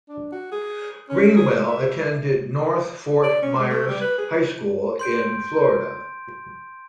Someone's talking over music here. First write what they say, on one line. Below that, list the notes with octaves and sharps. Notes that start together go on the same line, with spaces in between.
Greenwell attended North Fort Myers High School in Florida.
D4
F#4
G#4
C#4
G#4
E5
D5
C#4
G#3
A3
G3
B4
G#4
C6 G6 D7